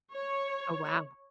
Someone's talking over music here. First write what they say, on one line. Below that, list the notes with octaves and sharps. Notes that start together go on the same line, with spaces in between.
Oh wow.
C#5